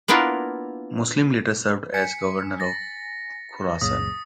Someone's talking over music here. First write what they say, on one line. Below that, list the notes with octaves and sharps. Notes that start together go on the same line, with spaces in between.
Muslim later served as governor of Khurasan.
A#3 B3 D4 E4 F4 A#4
G#5 B6 C#7
A6 A#6
C#2 F#2 A#2 D#6